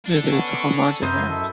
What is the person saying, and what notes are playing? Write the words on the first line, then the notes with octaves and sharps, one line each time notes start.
It is homogenized.
D4 A4
B3 C#4
C#5
F#2 B4 C5 D#5 E5 A#5 C6
E4 A4 E5